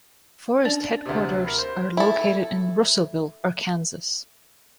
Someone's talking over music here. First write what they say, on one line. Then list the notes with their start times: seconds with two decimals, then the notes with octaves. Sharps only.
Forest headquarters are located in Russellville, Arkansas.
0.65 C#4 D4 D5
1.06 D2 C3
1.45 A#4 B5
1.58 C5
1.97 E4 A4